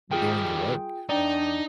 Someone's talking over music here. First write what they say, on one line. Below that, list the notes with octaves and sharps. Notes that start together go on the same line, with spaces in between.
doing your work, um,
D#3 G3 F4 G#4 G5
D4 D#4 D5 G5